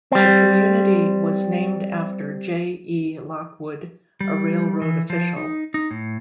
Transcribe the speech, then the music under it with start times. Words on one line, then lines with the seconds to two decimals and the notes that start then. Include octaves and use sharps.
The community was named after J. E. Lockwood, a railroad official.
0.12 G3 C4
4.21 G3
4.82 E3
5.10 F3
5.36 D#4
5.74 D#4
5.91 A2